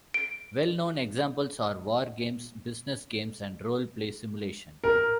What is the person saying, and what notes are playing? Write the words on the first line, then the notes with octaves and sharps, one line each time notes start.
Well-known examples are war games, business games, and role play simulation.
D7
A#4